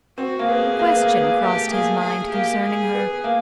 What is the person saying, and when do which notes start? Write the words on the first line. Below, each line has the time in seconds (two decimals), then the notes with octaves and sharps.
A question crossed his mind concerning her.
0.18 C4 F#4
0.39 A#3
0.48 B3 G#4
0.79 A#3
0.90 B3
1.02 A#3
1.13 B3
1.24 A#3
1.40 A3 G4
1.71 A#3 G#4
2.01 G#4
2.32 A#3 G4
2.63 G#4
2.94 B3
3.24 A#3